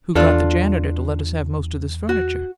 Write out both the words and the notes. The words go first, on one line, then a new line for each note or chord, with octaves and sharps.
Who got the janitor to let us have most of this furniture?
E2 D4 F4 A4
F#4